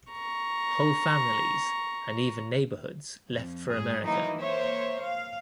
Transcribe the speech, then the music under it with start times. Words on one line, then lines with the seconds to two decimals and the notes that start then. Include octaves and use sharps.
Whole families and even neighborhoods left for America.
0.11 A#5 C#6
3.29 F2
3.71 G#2 G#4
4.02 D#3 E3 F#3 A#3 D#4 E4
4.39 A#3 C5 C#5 E5
4.98 F5